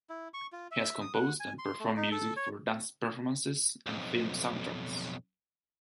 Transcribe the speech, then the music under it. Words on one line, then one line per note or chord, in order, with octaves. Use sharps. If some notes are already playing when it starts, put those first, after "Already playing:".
He has composed and performed music for dance performances and film soundtracks.
E4
C#6
F4
E5
D#6
F#5
G#5
C6
A3
D#4
A4
C#5
B1 F2